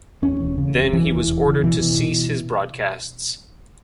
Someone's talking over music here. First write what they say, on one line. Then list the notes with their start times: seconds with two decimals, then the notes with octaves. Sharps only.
Then he was ordered to cease his broadcasts.
0.22 E2 C#4
0.40 E1
0.58 C#3
0.75 E1
0.93 E1 E3
1.11 E1
1.28 E1
1.46 C#3
1.64 B2 E3
1.81 B2
1.99 B2